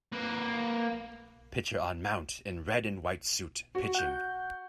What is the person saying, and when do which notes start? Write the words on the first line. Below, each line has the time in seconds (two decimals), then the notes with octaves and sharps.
Pitcher on mount, in red and white suite, pitching.
0.12 A#3 B4
3.75 F#4
3.95 F#5 G6